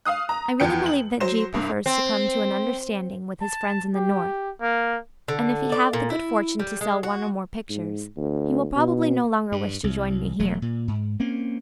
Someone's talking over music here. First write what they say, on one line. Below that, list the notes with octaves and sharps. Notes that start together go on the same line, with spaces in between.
I really believe that G. prefers to come to an understanding with his friends in the North, and if he have the good fortune to sell one or more pictures, he will probably no longer wish to join me here.
F5 D#6 F#6
A#5
E2 F3 G5 C#7
F#7
F#3 C5 E7
C2 G2
C4
A5
G4
A#3
D3
D5
A#2
E4
G3
G#3
F#4
G#2
D2
B2
G2
C2
E1 F#3 A3
A#2
G#2
A#3 C4 C#4